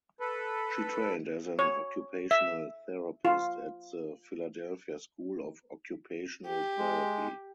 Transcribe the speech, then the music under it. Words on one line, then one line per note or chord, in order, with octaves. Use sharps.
She trained as an occupational therapist at the Philadelphia School of Occupational Therapy.
A4 B4
C#5
E5
F4
G4
G#3